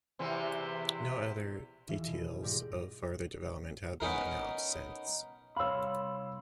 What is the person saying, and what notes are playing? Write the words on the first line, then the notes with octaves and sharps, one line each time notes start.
No other details of further development have been announced since.
E2 C3 E3
D#1 E3 F4 E5
B2
G#2 G4 D5 D6 A#6
B3 C#4 D#4 A#4
C2 C#5 F5 B5 C6 E6